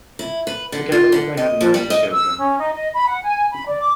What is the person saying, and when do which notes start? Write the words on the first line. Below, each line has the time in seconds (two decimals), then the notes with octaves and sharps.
Together they had nine children.
0.19 E4
0.47 B4
0.72 D3
0.92 F4
1.12 D3
1.37 D#5
1.61 F3
1.74 G3
1.90 D#5
2.10 E6
2.37 C#4
2.58 D#4
2.72 D#5
2.93 B5
3.07 F#5
3.23 G#5
3.51 B5
3.66 D5
3.80 D6